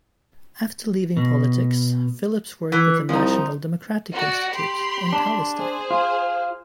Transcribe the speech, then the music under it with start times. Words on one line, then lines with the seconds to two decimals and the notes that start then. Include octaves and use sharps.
After leaving politics, Phillips worked with the National Democratic Institute in Palestine.
1.17 B2
2.72 E3
3.09 C2 F3 D#4
4.11 F#4 D5
4.53 G4 B5 C6
5.13 D4
5.56 G#4 C5
5.91 F4